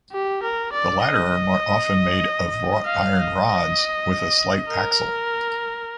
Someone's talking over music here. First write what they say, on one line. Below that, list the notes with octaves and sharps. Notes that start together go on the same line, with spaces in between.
The latter are more often made of wrought-iron rods, with a slight axle.
G4
A#4
D5
D#5
F5
D#5
D#5
A#4